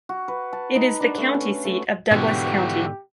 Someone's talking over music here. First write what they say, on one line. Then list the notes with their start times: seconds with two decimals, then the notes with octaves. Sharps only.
It is the county seat of Douglas County.
0.09 F#4
0.28 B4
0.53 A5
0.75 D#4
1.00 D4
1.18 A3
1.34 C#4
1.65 A3
2.11 G#2 B2 D3 E3 F#4 G4